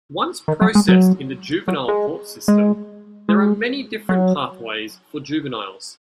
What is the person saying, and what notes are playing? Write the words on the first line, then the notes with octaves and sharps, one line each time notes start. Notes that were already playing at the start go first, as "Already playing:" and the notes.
Once processed in the juvenile court system there are many different pathways for juveniles.
D#3
F#3
G#3
F#3
F#3
G#3
G#3
G#3
F#3